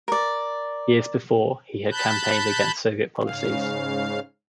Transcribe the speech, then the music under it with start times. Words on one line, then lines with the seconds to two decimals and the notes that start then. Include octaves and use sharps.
Years before, he had campaigned against Soviet policies.
0.08 A#4 D5
1.91 A5 B5 F#6 G6
3.23 G#2 C#3 F5